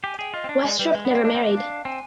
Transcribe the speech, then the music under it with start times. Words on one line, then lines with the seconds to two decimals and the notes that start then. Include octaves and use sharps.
Westropp never married.
0.03 G4 G#5
0.19 G#4 G5
0.34 F4 D#5
0.44 C4
0.49 D4
0.64 G#3 D5
0.79 G3 B4
0.95 G#3
1.05 B3
1.10 D4 D5
1.15 C4
1.25 D4 D#5
1.35 C4
1.44 D4
1.56 F5
1.85 C4 G#5